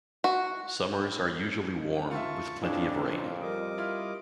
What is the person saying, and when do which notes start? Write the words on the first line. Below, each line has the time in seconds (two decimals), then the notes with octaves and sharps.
Summers are usually warm, with plenty of rain.
0.24 F#4
2.11 F4 E5 A5 C#6
2.60 F2 A2 C#4 D4 F4 G#4 D5 E7
3.41 G3 A#4 D#5 D6
3.78 E4 F4 F6